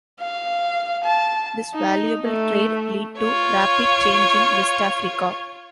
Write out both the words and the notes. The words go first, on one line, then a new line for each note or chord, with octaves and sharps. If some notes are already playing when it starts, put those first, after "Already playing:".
This valuable trade lead to rapid change in West Africa.
F5
A5
D#4
A3
F4 C#5